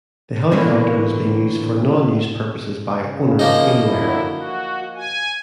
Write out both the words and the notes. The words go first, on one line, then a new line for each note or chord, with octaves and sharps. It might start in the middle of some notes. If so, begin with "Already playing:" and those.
The helicopter was being used for non-news purposes by owner Heloair.
A#2 D3 E3 F#3 A#3 B3
C#3
F3 A#3 D#4
D3 F#3 E4
F#4
G#5